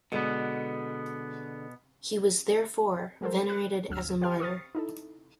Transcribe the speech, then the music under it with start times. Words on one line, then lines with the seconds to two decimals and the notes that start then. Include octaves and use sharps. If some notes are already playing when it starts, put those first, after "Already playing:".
He was, therefore, venerated as a martyr.
0.12 B2 D3 G#3 B3
3.21 F#3 G#3 F#4 A4 A#4 C5
3.49 F#6
3.88 G1 D2 F#3 E6 F6
4.21 G4 C5 F5 G5 F6
4.40 C#6 D#6 F6 A6
4.75 D#4 E4 A4